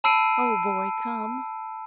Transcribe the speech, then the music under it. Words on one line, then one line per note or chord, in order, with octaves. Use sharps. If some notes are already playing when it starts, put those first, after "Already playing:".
Oh, Boy--come!
A5 B5 E6 C7 D7 D#7